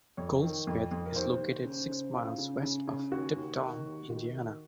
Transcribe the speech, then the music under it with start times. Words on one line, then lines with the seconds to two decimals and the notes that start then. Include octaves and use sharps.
Goldsmith is located six miles west of Tipton, Indiana.
0.17 F2 C#5
0.42 D#3
0.67 F2
0.91 F2
1.06 A#4
1.16 D#2 C5
1.40 D#2
1.65 C#3
1.89 C#3
2.14 C#3 F4
2.38 C#3
2.63 C#3
2.88 C#3
3.12 D#2 F#4
3.36 D#2
3.60 D#3
3.86 D#2
4.10 D#3 F#4
4.34 D#3